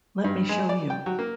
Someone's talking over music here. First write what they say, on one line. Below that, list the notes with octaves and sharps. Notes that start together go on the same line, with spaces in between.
Let me show you.
G2
G#3
D5
G5
F#3
A#3